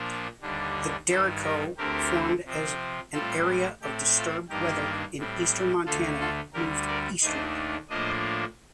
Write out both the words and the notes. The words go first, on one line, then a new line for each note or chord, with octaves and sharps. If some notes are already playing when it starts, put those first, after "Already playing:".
The derecho formed as an area of disturbed weather in eastern Montana moved eastward.
Already playing: A#2 F3 A#3 D4
D#2 D3 G3 D4
G2 D#3 G3 A4 C5
G4 A#4
D2 D3 A3 C4 G4 A#4
C3 F3 C4
A2 G3 C4 F4 A4
A2 A3 C4 G4
F4 A4
G2 D#3 A#3 D4 G4 A#4
A2 G3 C4
D2 D3 A3 F4 A4
F4 A4
D2 D3 G3 G4 A#4
A#4 D5
D#2 D#3 A3 D4 C5 D#5
A2 F3 A#3 D4 C5 D#5